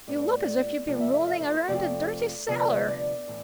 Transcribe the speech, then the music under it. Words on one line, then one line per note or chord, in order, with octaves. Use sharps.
"You look as if you'd been rolling around a dirty cellar."
A2 G3 B3 D5
F2 C3 F3 A3 D5
E5
E5
E5
C5
C5
F2 C3 F3 A3 C4 D5
D2 C3 F3 B3 D5
E5
D5
A2 E3